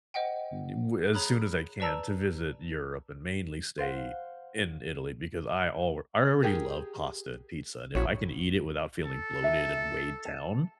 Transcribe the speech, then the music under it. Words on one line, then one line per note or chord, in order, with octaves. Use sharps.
d we're as soon as I can, to visit Europe and mainly stay in Italy because I alr I already love pasta and pizza, and, if I can eat it without feeling bloated and weighed down,
C5 D#5 F#5 G5
G#4 C#5 A#5 B5 D#6 F#6
B4 D5 A5 A#5 E6
C5 F5 F#5
G4 G#4 A#4
A#1 E4 F#4 C#5
A4
D#4 F#4 E5
A5